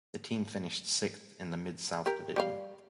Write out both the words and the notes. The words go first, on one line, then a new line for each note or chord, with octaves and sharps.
The team finished sixth in the Mid South Division.
G4 A#4
G3 G4 F5